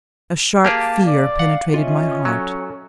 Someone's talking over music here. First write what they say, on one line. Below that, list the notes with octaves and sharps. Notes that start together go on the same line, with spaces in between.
A sharp fear penetrated my heart.
A#3 G4 G#4 F5 A5 D6 G6
D5
F5 F#5
C#4 F4 D#5 E5
F#3 A4